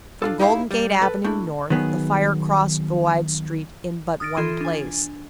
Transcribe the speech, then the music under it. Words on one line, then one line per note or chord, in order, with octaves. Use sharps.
From Golden Gate Avenue north the fire crossed the wide street in but one place.
D4 F4 A4
D#4 E4 G4 C#5 D#5 F5
G3
A4 B4
A3 D4 E4
D#3 F#3 B3 G#4
D#6 F6 A6 A#6 D7
E3 F4 A4 C6 G#6 D#7
D4 G#5